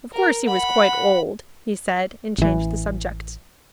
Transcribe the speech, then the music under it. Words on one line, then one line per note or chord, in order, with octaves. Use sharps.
"Of course he was quite old," he said, and changed the subject.
A#4
F#5 B5
A1 E3